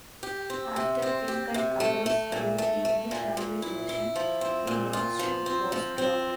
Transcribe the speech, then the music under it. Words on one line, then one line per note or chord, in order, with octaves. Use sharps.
After Pink and others viewed the English-language version, the lawsuit was dropped.
G4
C4
C3
C4
G4
C3
A3
A3
A#2
A3
A3
A#2
A#2
E4
E4
F3
C4
A#2
F4
F3
C4
F3
C4